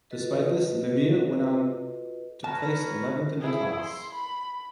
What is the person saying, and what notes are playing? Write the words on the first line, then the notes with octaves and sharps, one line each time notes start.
Despite this, Lemieux went on to place eleventh in the class.
F4 F#4 A4 B4 D#5
C#4 A#4 B4 A5
E4 G#4
C6
B5